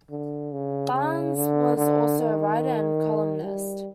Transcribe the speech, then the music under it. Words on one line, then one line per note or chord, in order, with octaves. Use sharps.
Barnes was also a writer and columnist.
D3
C#3
C#3
D3
D3
D#3
G3